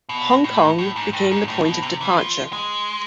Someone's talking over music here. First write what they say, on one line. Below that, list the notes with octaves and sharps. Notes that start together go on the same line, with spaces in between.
Hong Kong became the point of departure.
B2
A2
A2
G#2
G2
G#2
A2
B2
C3
E3
F3
G#3